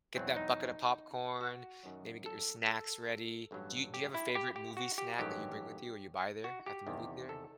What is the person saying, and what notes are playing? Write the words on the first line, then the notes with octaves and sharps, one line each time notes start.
Get that bucket of popcorn, maybe get your snacks ready. Do you do you have a favorite movie snack that you bring with you or you buy there at the movie theater?
E2 B2 F#3 C4
D#4
F#4
F#2 D#3 F#3
A4
A4
A1 G2 F#3
G4
E4
G4
G4
F#4
G4
A1 G2 D#3 F#3 G4
F#4
G4
E2 C3 D#3
A4